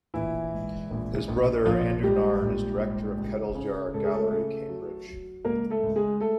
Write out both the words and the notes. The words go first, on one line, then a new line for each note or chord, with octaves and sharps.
His brother, Andrew Nairne, is Director of Kettle's Yard Gallery, Cambridge.
A#1 E3 E4
G#2
A#1
A#1
A#1 F3 F4
G#2 G3 G4
A#1
G#2
C#2
C#3
C#2 A4
G#4
A3 A4
C#3
F#3
F#3
C#2 A#3 A#4
A3 A4
C#2
G#3 G#4
A3 A4